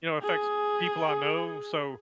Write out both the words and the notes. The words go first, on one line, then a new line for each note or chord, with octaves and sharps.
you know, it affects people I know. So,
G#4